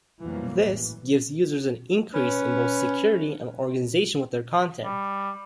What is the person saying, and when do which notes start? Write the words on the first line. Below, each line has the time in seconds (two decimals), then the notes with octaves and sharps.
This gives users an increase in both security and organization with their content.
0.24 F2 B2 E3 F#3 G3 A#3
0.61 A1 E3
2.14 C#4 B4
4.84 G3